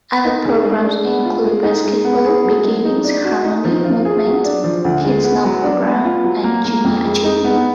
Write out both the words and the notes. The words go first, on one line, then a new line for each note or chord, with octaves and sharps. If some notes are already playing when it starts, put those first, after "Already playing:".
Other programs include Basketball Beginnings, Harmony Movement, Kids Now Program, and Junior Achievement.
D#4
G#4
G#3
D4
B3
F4
G#3
D#4
G#3
B3
G#4
F#3
G#3
D#4
D4
F#4
D#4
F3
F4
G#4
F#3
D4
F3
D2
G#3
B3
F#3
D4
B3
F4
F#3
A#3
A#3
F2
G#3
D#4
B3